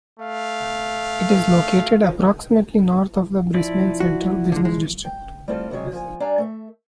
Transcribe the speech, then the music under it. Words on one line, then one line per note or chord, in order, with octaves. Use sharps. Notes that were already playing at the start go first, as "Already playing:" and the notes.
It is located approximately north of the Brisbane central business district.
A3 F5
F3 E4 D5
F#4
D3 G#3
G#3
G5
G3 A3 C4 E4 F4 A4
G2 C3 D#3 F#3 G#3
F3 G#5
G3 D4 D5 F5 G#5 A#5
A3 A4 E5